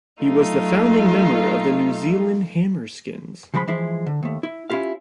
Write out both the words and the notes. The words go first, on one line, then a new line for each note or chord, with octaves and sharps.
He was the founding member of the New Zealand Hammerskins.
F#3 A3 D#4 F4
C#3 F3 G#3 A#5 B5
E3 F3 G#3 E4
D3
D#2 A3
E4
C#4 E4 F4 G4 F5